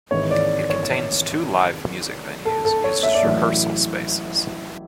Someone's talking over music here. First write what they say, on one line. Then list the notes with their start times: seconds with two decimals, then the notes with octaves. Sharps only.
It contains two live music venues used as rehearsal spaces.
0.11 G#1 G#2 E3 C#5
0.31 D5
0.70 C#5
2.45 A4
2.65 A4
2.84 C#5
3.03 E5
3.15 D5
3.23 A1 A2 F#3 E5